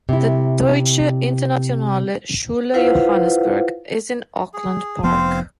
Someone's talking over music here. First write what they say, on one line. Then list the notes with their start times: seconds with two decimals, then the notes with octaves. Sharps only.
The "Deutsche Internationale Schule Johannesburg" is in Auckland Park.
0.09 C3 E4
2.74 E4 F4 B4 C5 F5 F#5
4.54 G#4
5.03 F1 F3 B3 C4 C5 F5